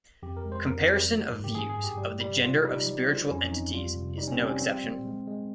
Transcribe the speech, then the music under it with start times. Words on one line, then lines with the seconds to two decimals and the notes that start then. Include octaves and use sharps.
Comparison of views of the gender of spiritual entities is no exception.
0.23 F2 G4
0.37 A#4
0.44 G#3
0.52 C5
0.66 F2 A#4
0.88 G3
1.10 F3
1.32 G#2
1.44 G4
1.54 D#3 G#4
1.69 G#4
1.76 G2
1.84 G4
1.98 G3
2.21 G3
2.42 C3 F4
2.64 G3 D#4
2.85 F3
3.08 F3
3.30 F2 C#4
3.51 F2 D#4
3.73 G3 F4
3.96 C3
4.17 G3 D#4
4.27 C#4
4.32 C4
4.39 G3
4.46 C#4
4.61 F3 C4
4.84 A#2
5.05 G#3
5.27 G#3